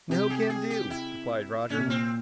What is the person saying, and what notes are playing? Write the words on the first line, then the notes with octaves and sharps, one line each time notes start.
"No can do," replied Roger.
C3 G4
G#4
G4
G#4
G4
E4
A#2 C#4
C3
A#2 C4